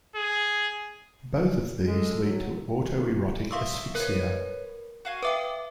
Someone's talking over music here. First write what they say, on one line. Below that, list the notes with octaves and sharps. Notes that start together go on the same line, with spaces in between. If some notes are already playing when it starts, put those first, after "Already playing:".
Both of these lead to autoerotic asphyxia.
G#4
G#3 A4
F#3
E5 F5 C6 C#6 D#6 E6
A#4 B4 C#5
F#4 F5 G#5
B4 E5 F5 G5 D6 D#6